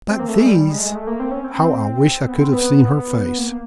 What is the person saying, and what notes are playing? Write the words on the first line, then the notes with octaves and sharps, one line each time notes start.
"But these--" How I wish I could have seen her face!
C4
A#3
A3
G#3
G3
G3
G#3
A3
G#3
A3
A#3
C4
C#4
C4
C4
B3
C4
B3
A#3